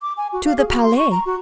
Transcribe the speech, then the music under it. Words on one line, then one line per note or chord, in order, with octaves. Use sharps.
"To the Palais."
D6
G#5
F#4
F5
G#4
F#4
C6
C#6
A#5
F#4